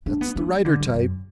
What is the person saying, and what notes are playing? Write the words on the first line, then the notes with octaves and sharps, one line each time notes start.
'That's the writer-type.
D4
B3
D4
F#3
D3
F#2
F#2